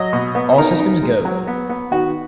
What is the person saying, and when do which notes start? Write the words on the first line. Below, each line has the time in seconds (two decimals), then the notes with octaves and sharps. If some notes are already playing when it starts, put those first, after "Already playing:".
All Systems Go!
Already playing: F#3 D#5
0.13 B2
0.35 B3
0.58 D#4 A#4
0.80 D#4
1.03 G#3
1.25 F#3
1.47 B3
1.69 B3
1.91 D#3 F#4